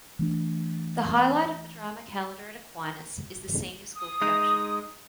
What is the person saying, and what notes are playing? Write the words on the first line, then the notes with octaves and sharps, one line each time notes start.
The highlight of the Drama calendar at Aquinas is the senior school production.
E3 A3 D4
D#6
G#3 D#4